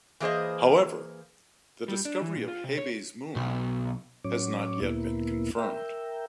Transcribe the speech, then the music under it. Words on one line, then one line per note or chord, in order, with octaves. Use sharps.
However, the discovery of Hebe's moon has not been confirmed.
E3 A#3 G#4 C5 D#5
G3
D4
E3
A#2
F4
C3
C#5
B1
A2 F#3 C#4 C#5 D6
D2 A#2 A#3 B3 E4
A#4 E5 G5